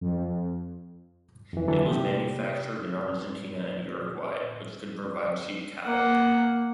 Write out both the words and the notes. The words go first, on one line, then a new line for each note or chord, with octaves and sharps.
It was manufactured in Argentina and Uruguay which could provide cheap cattle.
F2
F2 C#3 E3
D3 E3 F#3 A#3 D4 A4
C3 G4
A#3 F#5